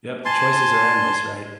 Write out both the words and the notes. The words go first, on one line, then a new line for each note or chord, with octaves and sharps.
Yep. The choices are endless, right?
G#5 A5 C6